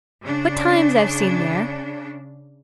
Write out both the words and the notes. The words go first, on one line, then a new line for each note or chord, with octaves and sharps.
'What times I've seen there!
C#3 D4